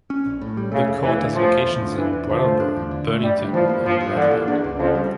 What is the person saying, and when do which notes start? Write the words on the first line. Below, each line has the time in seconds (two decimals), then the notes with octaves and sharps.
The court has locations in Brattleboro, Burlington, and Rutland.
0.10 C#4
0.26 A#1
0.41 A2
0.57 G3
0.72 C#3 A3
0.88 F1
1.03 E2 E3
1.19 D3
1.35 F3 A3
1.51 F1
1.67 E2
1.82 D3
1.98 E3 D4
2.13 E2
2.29 D3 F3
2.44 A3
2.60 D4
2.76 E2
2.91 D3
3.08 A3
3.22 G2 G3
3.38 G2
3.54 E3 F3
3.69 A#3
3.86 G2 F3
4.01 G2
4.16 D3 E3
4.33 A#3
4.48 E2 D4
4.64 C#2
4.79 F2 C#3
4.95 G3